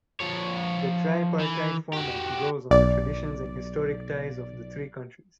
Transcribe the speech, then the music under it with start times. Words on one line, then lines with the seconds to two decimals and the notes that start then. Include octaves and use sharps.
The tripartite format draws on the traditions and historic ties of the three countries.
0.20 F3 C#5
1.40 E3
1.93 F#4 G4
2.71 B1 D5